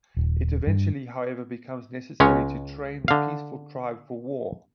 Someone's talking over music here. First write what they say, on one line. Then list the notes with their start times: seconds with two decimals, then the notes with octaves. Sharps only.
It eventually, however, becomes necessary to train the peaceful tribe for war.
0.17 D#1
0.67 G2
2.20 C#2 G#3 C#4 C#5
3.08 D3 F5